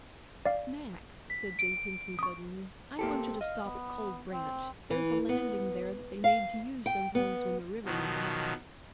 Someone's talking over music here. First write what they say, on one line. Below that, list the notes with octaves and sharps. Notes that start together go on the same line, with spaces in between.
"Mac," said J. Pinkney suddenly, "I want you to stop at Cold Branch. There's a landing there that they made to use sometimes when the river was up."
D5 F5
B6
D7
C#6 D#6
A#3 C4 G4 A4
D#5 F5
B3
C4
E3
B3
F5
G5
B3
B2 D#3 F3 F#3